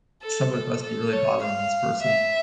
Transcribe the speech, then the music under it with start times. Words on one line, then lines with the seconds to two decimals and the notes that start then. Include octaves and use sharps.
Someone must be really bothering this person.
0.22 A4
0.53 A4
0.83 A4
1.12 C#5
1.43 F5
2.03 E5